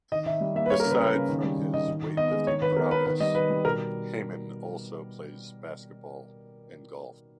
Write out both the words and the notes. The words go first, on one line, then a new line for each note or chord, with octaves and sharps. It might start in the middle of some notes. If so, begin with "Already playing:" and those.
Aside from his weightlifting prowess, Hamman also plays basketball and golf.
D#3 D#5
D#3 E5
G3
A#3 E5
B4
G3 C#5
A#4
C#3
B4
C#3
C#3
D#3
G3
D#3
D#3 D#5
D#3
D#3
B3 D#5
G#3
D#3 C#5
D#3 B4
B4
B3 A#4
B3 B4
D#3 B4
G3 D#5
D#3 B4
G3
B2 A#4